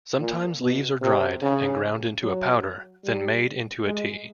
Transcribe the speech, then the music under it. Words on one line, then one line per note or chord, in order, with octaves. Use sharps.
Sometimes leaves are dried and ground into a powder, then made into a tea.
A#2
B2
C3
C#3
F#3
G3
G#3